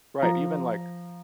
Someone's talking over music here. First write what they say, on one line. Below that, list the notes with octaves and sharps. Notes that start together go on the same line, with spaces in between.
right, even, like
F3 A#5